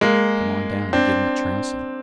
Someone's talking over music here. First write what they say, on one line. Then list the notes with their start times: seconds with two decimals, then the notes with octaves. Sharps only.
"Come on down, and give 'em a trouncing."
0.01 G#3 A#3
0.93 C4 D4